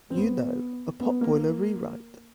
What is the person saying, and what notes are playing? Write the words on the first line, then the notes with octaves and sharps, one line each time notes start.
You know, a potboiler rewrite.
C4
B3
B3
A#3